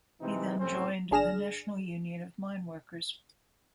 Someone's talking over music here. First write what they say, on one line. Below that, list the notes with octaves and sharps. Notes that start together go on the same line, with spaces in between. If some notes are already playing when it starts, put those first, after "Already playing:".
He then joined the National Union of Mineworkers.
C3 E3 G#3 C4 D#4
C2 A2 C4 C#4 C5
G1 D4 G#4 F6 A#6 E7